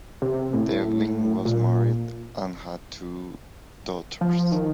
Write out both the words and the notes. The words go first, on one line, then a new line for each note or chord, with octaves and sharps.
Devlin was married and had two daughters.
C3
A2
A#2
F3
D#3